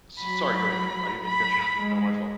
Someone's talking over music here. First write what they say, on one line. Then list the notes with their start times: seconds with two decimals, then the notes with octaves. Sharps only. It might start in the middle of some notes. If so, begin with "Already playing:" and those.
s sorry, go ahead. I didn't mean to cut you off. No, my fault.
0.20 F#3 B5
1.25 B5
1.77 G#3